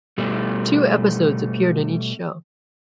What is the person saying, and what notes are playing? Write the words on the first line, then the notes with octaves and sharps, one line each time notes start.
Two episodes appeared in each show.
B2 G3 A3